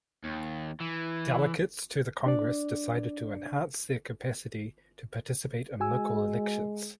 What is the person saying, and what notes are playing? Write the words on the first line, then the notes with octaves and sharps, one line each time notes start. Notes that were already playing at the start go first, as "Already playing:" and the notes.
Delegates to the congress decided to enhance their capacity to participate in local elections.
D#2
E3
D4 D5
G#3 F#4 G#5 E6